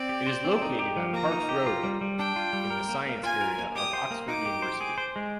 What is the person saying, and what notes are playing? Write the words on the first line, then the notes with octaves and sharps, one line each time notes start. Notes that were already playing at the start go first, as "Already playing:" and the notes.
It is located on Parks Road in the Science Area of Oxford University.
Already playing: C4 D5
G4
C5
C4
D#4
G4
F3
A#3 A#5
D#4
G4
F4
G3
G3
D4 G5
F4
G3
A#4
A#3
A#3
F4 G#5
A#4
A#3
G4 D#6
C5
A#3
D#4 D6
G4
C5
G#4
C5
G#3